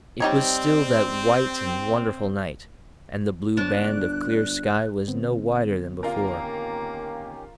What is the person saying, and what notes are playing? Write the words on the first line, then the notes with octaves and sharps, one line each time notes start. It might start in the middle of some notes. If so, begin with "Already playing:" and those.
It was still that white and wonderful night, and the blue band of clear sky was no wider than before.
G3 C4 D#4 C#5
G1 D4 C#5 F#6
D3 B3 C4
D#3 A#3 C#4 F4 G4 A#4